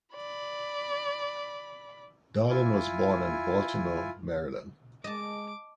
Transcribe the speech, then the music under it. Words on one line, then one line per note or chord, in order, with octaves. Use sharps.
Darling was born in Baltimore, Maryland.
D5 B5
E4 F4 G#5
G#3 D#5 A5 D6